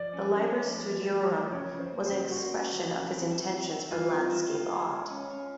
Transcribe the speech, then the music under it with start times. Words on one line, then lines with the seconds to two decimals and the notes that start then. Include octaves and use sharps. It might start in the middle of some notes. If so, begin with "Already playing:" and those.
The "Liber Studiorum" was an expression of his intentions for landscape art.
Already playing: F3 D5
0.13 C#4
0.33 C#4
0.53 F3
0.73 A3
0.93 A3
1.12 F3
1.32 F3
1.52 C#3 C#5
1.72 C#3
1.79 C5
1.93 A#3
2.06 C5
2.11 C#3
2.31 A#3 F#4
2.52 C#3
2.72 F3
2.92 C#3
3.11 C4
3.31 E4
3.51 C4
3.70 E4
3.90 G3 F4
4.10 C4
4.31 E4
4.51 G4
4.70 G#3
4.90 G#3
5.10 C#4
5.30 C#4